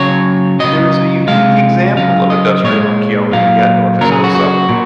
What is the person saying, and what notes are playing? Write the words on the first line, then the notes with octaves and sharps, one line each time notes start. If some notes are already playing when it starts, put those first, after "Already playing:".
There is a unique example of industrial archaeology at Torviscosa.
Already playing: C#3 F#3 C#5
C#3 F#3 D#5
C3 D#3 G#3 F5
C#3 F#3 F5
D#5
A#2 G#3 C#5
A#2 F#3 F5
C#3 F#3 A#4
G#4
F#4
F#4
A#2